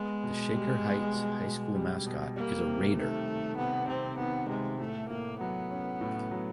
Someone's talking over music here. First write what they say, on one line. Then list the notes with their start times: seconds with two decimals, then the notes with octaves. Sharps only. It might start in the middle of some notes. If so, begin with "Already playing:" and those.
The Shaker Heights High School mascot is a "Raider".
Already playing: G#3 B3
0.24 B2
0.54 G3
0.85 B3
1.14 B2
1.45 B2
1.75 G3
2.06 B2
2.36 G3 A#3
2.67 C3
2.97 D#3 A3
3.27 D#3
3.57 C3 B3
3.88 C3 C4
4.18 D#3 B3
4.49 C3 G#3
4.80 A2 A3
5.10 A2 A#3
5.40 F#3 B3
5.71 C#4
6.01 A2
6.31 F#3